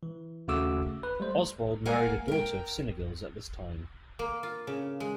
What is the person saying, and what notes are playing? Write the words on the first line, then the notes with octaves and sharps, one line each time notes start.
Oswald married a daughter of Cynegils at this time.
E3
D#2 C#3 A3 F#4 D6 E6
B4
G3 A3 C5
A#3 A#4 F5 F#5 G#5
A#4 G5
A#3
F4
C#3
G#3